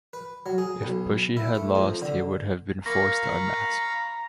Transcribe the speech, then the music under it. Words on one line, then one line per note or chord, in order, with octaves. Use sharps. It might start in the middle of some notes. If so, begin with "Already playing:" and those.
If Bushi had lost he would have been forced to unmask.
B4
F#3
G#4
B1
E4
A3
F2
D3
A#3 F5 A#5 B5 C#6 A#6